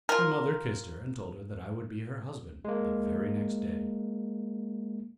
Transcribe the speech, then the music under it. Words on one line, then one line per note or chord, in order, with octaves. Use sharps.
Her mother kissed her, and told her that I would be her husband the very next day.
F4 A#4
G#3 A#3